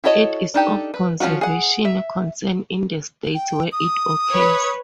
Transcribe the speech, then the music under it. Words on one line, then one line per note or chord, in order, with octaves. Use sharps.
It is of conservation concern in the states where it occurs.
E4 F#4 A4 C#5 D#5
D4 D#4 G4 A4
B4
F3 C4 C#4 F4 F#4
G#4 F#5
E5
G5
D#6
B4 C#5